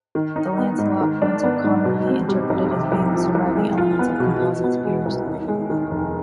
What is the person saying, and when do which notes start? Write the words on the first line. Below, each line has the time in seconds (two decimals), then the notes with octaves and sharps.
The lanceolate points are commonly interpreted as being the surviving elements of composite spears.
0.15 D#3
0.36 D#4
0.58 B3
0.78 G#2
1.01 D#3
1.22 D4
1.44 B3
1.64 G#2
1.85 B2
2.08 C4
2.28 G3
2.50 B1
2.71 C3
2.92 C2
3.13 F3
3.35 C2
3.56 G#3
3.78 F4
3.99 B3
4.20 B2
4.42 B2
4.64 B3
4.85 G#3
5.06 C2
5.27 D#2
5.48 G#3
5.70 D#3
5.91 F1